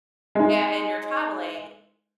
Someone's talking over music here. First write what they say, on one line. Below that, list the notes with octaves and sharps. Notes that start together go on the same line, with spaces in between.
a and you're traveling
G#3 D#4